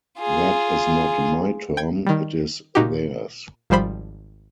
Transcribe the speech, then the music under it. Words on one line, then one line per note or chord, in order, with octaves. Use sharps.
That is not my term, it is theirs.
F4 G#4
G5 G#6
D#3 G3
A#2 D#4 F#4 G4
G#1 F3 G3 C5 B5